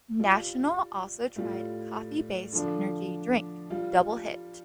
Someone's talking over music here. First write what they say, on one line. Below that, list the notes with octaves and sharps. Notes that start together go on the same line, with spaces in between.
National also tried a coffee-based energy drink, Double Hit.
G3 F4
A2 G3 F4
D3 F3 D4
G3 F4